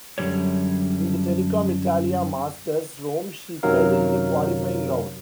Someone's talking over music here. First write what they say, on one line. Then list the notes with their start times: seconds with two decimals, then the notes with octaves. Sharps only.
In the Telecom Italia Masters Rome she fell in the qualifying round.
0.18 F#2 D3 E3 G3 C#5
3.63 F#2 C3 D#3 F#3 A#4 F5